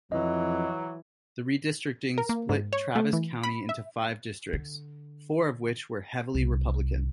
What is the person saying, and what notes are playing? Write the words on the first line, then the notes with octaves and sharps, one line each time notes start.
The redistricting split Travis County into five districts, four of which were heavily Republican.
F2 E3 F#3 D#5
A#4
A#3
G#2
C#5
A3
E3
B5
E5
D3
C2